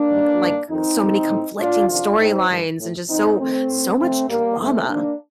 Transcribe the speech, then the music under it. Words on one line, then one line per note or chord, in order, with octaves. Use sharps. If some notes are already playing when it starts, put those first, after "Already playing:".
eh, like, so many conflicting storylines and just so, so much drama.
Already playing: A#3 D4
G2 D#3
G2 D#3
F2 D#3 C4 D#4
F2 D#3
A2
A2 D4 F4
F2 C3 D#3 D4 F4
A2 C4 D#4
G2 D#3
A2
F2 D3 C4 D#4
F2 D#3 A3 C4
A2
F2 C3 D#3 A3 C4
G2 D#3 G3 A#3
G2 D#3 A3 C4
F2 C3 D#3 A#3 D4